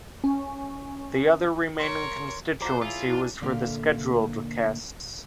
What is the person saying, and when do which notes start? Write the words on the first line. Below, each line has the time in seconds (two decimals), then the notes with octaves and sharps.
The other remaining constituency was for the Scheduled Castes.
0.24 C#4
1.78 A#4 C#5 C6
2.62 F4 F#4 A4 C5 D5 A#5 D6
2.82 E4 F4 G#4 C#5
3.08 D4 E4 A#4 G#5
3.41 A#2 D3 A#3 E5 F5